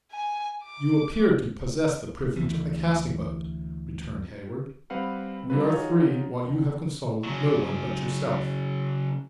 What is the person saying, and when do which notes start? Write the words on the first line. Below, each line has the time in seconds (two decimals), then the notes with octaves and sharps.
"You appear to possess the privilege of a casting vote," returned Heyward; "we are three, while you have consulted no one but yourself."
0.12 G#5
0.65 D6
2.36 D2 E3
4.90 G3 C4 B4 F5 F#5
5.50 D3 G3 A#3 C4 F4 B4
5.67 D#4 F4 F#4 G#4 C#5
6.44 E2
7.24 C#3 F#3